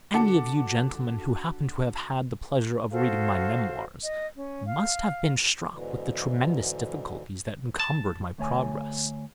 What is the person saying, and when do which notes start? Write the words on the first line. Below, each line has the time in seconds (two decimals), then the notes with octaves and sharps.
Any of you gentlemen who happen to have had the pleasure of reading my memoirs must have been struck with the tremendous difficulties that encumbered my progress.
0.14 D3 F#4 A5 D6 C#7
2.91 F#4 A4 C5 F5
4.04 D#5
4.36 C#4
4.67 F5
5.73 G#2 B2 D3 E3
7.80 A5
8.38 D2 A3 C#5 G#5